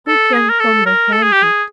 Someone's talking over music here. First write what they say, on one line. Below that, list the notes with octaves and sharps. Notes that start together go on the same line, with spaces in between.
Who can comprehend it?
A4
G#4
A#4
A4
A#4
A4
G#4
G4
G#4